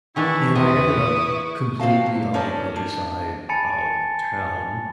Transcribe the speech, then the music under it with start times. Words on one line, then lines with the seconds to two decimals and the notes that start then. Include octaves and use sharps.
And I ended up completely on the other side of town,
0.16 D#3 E3 D4 E4 A5 C#6
0.55 E2 C3 E4 B4 D#5 E5 C#6 D#6
1.79 C4 F#4 F5 A5
2.06 C3
2.34 D2 C#4 D#4 C5 D5 A5
2.76 D4
3.49 G#5 A5 B5 A6 C#7